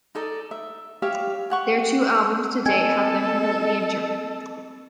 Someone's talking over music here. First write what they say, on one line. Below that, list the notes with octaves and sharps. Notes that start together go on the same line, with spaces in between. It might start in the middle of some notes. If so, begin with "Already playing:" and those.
Their two albums to date have been completely in German.
D#4 A4 D5 D#5
E5
G4 C#5 E5 F5
G4 F#5 C#6
C4 A4 D#5 G#5 G#6